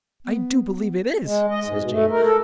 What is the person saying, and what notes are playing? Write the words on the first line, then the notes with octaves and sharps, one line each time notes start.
"I do believe it is," says Jane.
B3
G#3
D#5
G#2
B2
A3
A#4
A4